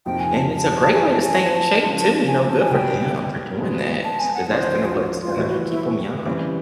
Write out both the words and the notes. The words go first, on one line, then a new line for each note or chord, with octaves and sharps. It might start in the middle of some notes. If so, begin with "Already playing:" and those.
And it's a great way to stay in shape too, you know, good for them for doing that, so 'cause that's gonna what's gonna keep ‘em young.
F2 C3 F3 A#3 D#4 G5
G#5
A5
A5
G2 E3 A3 C#4 E4 G#5
A5
G#5
A5
C#3 F3 G#3
G#5
A5
G#5
C2 B2 G3 G5
B2 G#3 B3
A5
G#5
F#5
D2 C#3 F3 G#3 C5
F4
F#4
F4
F4
A2 E3 G3 F#4
F#4
E4
C#3 E3 G3 C4